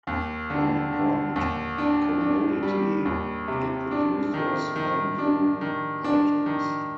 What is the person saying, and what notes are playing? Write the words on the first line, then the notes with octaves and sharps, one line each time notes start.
One important commodity it produced was handloom items.
D#2
D3
D3
D#2
D4
D4
G3
D#2
C3
D4
D#3
D#3
D4
D#3
D4
D#3